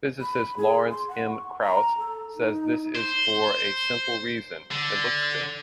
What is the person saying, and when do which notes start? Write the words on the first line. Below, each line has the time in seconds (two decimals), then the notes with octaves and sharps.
Physicist Lawrence M. Krauss says this is for a simple reason: it looks good.
0.21 B5
0.57 G#4
0.91 C6
1.08 F#5
1.30 C#6
1.59 A#5
1.98 A4
2.35 D#4
2.95 C5
4.72 D3